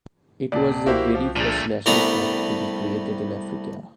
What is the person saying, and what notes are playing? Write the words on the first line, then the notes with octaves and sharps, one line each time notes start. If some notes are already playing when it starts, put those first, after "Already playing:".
It was the very first National Park to be created in Africa.
D#1 D5 A5
C2 A#3 E4 F#4 G4 C5
F3
A#2 F3 A3 D4 G#4
C2 G3 A3 B3 D4 A#5